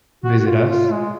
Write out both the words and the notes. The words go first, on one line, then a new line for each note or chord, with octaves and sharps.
visit us.
F#4
F#4
F4
F4
G#3